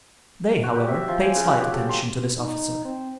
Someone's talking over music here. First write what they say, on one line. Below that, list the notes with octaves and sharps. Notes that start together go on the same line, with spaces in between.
They, however, paid slight attention to this officer.
F#4
G4
E5
F3
G#5
C#3
F#4
G4
A4
C6
D#4
C4